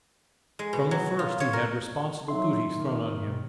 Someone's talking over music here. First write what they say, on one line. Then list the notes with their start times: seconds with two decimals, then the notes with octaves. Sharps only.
From the first he had responsible duties thrown on him.
0.59 G#3
0.73 B2
0.91 F#3
1.19 F4
1.40 C#5
1.53 A#4
2.28 F#3 D#4 E5 C6
2.72 D#3
3.28 B2